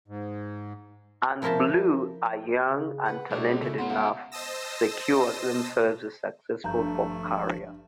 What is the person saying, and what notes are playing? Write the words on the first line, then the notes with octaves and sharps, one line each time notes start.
And Blue are young and talented enough to secure themselves a successful pop career.
G#2
F3 E4 A#4 C5 E5 A5
C#3
B4 F#5
B2 G#3 D4 E4 A4 C#5
C#3 E4 A4
B3 C#4 F#4 C6
C#2 F#4 E5
C5 D#5 A5 D#6 E6 A#6
G#1 G2 F3 A3 D4 A#5 G6